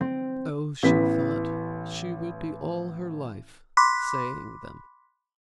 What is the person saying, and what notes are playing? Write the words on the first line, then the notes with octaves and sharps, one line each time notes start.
Oh, she thought, she would be all her life saying them!
C4
A1 E3 B3 B6
B5 C6 D6 F#6 B6